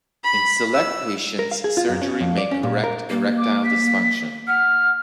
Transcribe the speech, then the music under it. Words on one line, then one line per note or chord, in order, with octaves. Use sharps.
In select patients surgery may correct erectile dysfunction.
B5
E6
A#4
F5
G#4
F4
F#2
C#4
F2
D5
C#4
A#2
A#4
A#3
D6
B6
F#5 F6